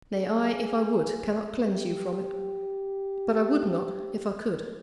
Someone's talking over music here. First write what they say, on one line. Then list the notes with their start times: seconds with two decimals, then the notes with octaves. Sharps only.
Nay, I, if I would, cannot cleanse you from it. But I would not, if I could.
0.14 G#4
1.64 G4